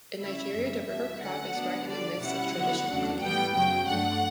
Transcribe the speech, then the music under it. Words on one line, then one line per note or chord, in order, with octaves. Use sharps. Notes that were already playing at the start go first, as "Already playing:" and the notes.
In Nigeria, the river crab is right in the midst of traditional cooking.
C#3 G3 C#4 E4 E5
F#2 C#3 E3 G3
E2 B2 G3 E5
D3 A3 C#4 F#5
D3 F#3 B3 D4
D3 G3 D4 D5
B2 G3 C#4 E4 F#5
D3 F#3 B3 E4
E2 C#3 F#3 A3 D4
A2 E3 G3 B3 G5
F#2 C#3 F#3 G5
G2 F#3 A3 D4 F#5